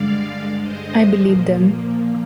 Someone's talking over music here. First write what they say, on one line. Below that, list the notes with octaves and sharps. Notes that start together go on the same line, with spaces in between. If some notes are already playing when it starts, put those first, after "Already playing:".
I believe them.
Already playing: G2 D3 G#3 D5 F5
C5 D#5
A#2 F3 A#3